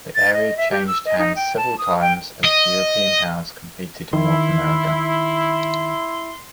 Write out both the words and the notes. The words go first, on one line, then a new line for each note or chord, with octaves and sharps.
The area changed hands several times as European powers competed in North America.
A6
D#5
E5
G4
E6
D#5
D#4
G5
A5
D#6
G5
D#5
D#3 E4 C6